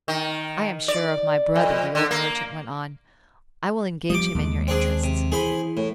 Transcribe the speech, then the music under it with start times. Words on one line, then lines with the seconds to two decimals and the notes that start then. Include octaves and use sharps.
"I am sure of my brother," the old merchant went on; "I will engage him in your interests."
0.08 D#3
0.88 D5
1.56 F2
1.95 D3
2.11 A#3
4.10 F3 G3 D6 D#6
4.35 D#2 G#3
4.68 C4 D4 G#4
5.03 C3
5.32 E3 G#4 C5 B5
5.77 A2